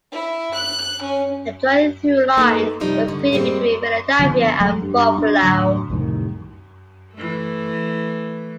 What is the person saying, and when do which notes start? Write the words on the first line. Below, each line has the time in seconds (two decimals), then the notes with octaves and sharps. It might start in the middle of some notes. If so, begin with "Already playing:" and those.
A joint through line was created between Philadelphia and Buffalo.
0.12 E4
0.54 F#6
1.02 C#4
2.37 A#3 D#4 A4 B4
2.80 C3 F3 G3 D#4
3.08 D3
3.32 G3 G#3 A#3 C4
4.19 D3 F3 B3
4.60 F3 F#3 G#3 A3
4.82 G2
5.18 D4
5.43 D#2 A2 D3 F#3
5.90 C2 F2 A2 D#3
7.13 E3 A3